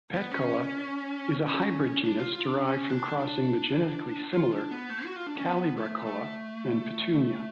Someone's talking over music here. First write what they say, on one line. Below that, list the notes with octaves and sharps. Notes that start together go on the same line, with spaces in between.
"Petchoa" is a hybrid genus derived from crossing the genetically similar Calibrachoa and Petunia.
B3
C#4
C#4
D4
F4
F4
D4
C#4
D4
D4
F4
D4
B3
A3
F#4
F4
D4
C#4
B3
A3
A3